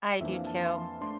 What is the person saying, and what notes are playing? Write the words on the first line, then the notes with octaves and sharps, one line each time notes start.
I do, too.
F2 E3 A#3 D4 E5
F5
A5
C6
A3 D4 C6